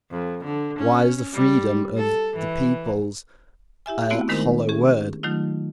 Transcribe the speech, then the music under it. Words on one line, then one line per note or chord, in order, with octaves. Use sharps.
Why is the freedom of the peoples a "hollow word"?
F2
D3
C#4
G3
A4
E3
E4 G4 E5 G#5
A3 B3 C4 E4 F#4
D#3 G#3 A3 D#4 A#4 C5
C#4 G4 G#4
D#3 F#3 A3 D#4 F4